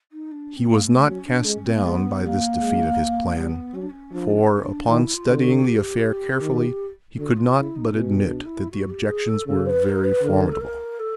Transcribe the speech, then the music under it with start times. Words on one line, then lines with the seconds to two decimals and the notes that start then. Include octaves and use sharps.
He was not cast down by this defeat of his plan, for, upon studying the affair carefully, he could not but admit that the objections were very formidable.
0.12 D#4
0.31 D4
0.56 C4
0.70 A#3
0.82 A3
1.06 F#3 C#4
1.26 D4
1.44 G#3 C#4
1.65 C4
1.74 A#3
1.83 G#3 C4
1.86 B3
2.21 G3 B3
2.26 A#3
2.59 G#3
3.36 G3 B3
3.74 F#3 C#4
3.81 D4
3.90 C#4
4.12 F3 D4
4.38 C#4
4.56 C#4
4.63 D4
4.89 D#3 E4
5.14 F4
5.27 D3
5.40 F#4
5.56 F#4
5.64 G4
6.41 D#3
7.17 D3 F#4
7.36 F4
7.55 C#3 E4 F4
7.75 D#4
7.93 B2 C#4
8.20 D4
8.45 E4
8.71 F#4
8.89 G4
9.08 G#4
9.28 A4
9.47 C#3 A4
9.66 C5
9.69 B4
9.84 B4
9.89 A#4
10.04 B4
10.23 D3 B4
10.27 A#4
10.52 A4
10.60 A#4
10.99 A4